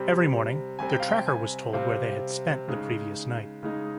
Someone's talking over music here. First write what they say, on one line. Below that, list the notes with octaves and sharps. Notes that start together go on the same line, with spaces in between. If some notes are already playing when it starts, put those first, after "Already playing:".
Every morning, their tracker was told where they had spent the previous night.
Already playing: C3 G3 C4
C3 G3 C4 G#5
G5
F5
G5
G#5
C3 G3 C4 F5
C#3 G#3 D#4
C#3 G#3 D#4